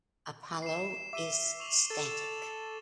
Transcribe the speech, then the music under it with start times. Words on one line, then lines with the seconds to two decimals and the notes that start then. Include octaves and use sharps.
Apollo is static.
0.62 C7 E7
1.13 E5 D6 D#7 G7
1.60 C#6 F7 F#7
1.90 A4 A6 E7